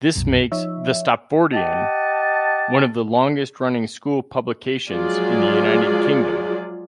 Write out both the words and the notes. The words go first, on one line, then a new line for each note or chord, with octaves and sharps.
This makes "The Stopfordian" one of the longest-running school publications in the United Kingdom.
C2 F#2 B2
F3 D#4 C#5 E5
G4 D#5 F#5 A5
F3 F#3 G#3 F4 G#4 D5